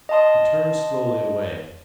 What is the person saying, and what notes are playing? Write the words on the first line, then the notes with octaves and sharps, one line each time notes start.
He turned slowly away.
D#5 F5 A5 C6 D#6